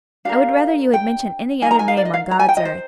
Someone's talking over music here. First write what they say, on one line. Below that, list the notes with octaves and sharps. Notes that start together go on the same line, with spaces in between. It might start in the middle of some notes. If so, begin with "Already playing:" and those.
'I would rather you had mentioned any other name on God's earth.
D4 G4 A#4 F5
G5
D#4 A#4 G#5 A#5
G#5
F5
D5
D#5
F5
A#5
G#5
G5
D#5
C5